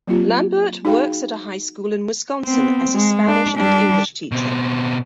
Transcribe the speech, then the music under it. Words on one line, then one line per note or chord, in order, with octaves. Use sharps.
Lambert works at a high school in Wisconsin as a Spanish and English teacher.
F#3 A#3 C4 F4 G4
D#4 F#4 G#4 F5 G5 B5
B3 C4
G#3
D4
G3 D4
B2 C4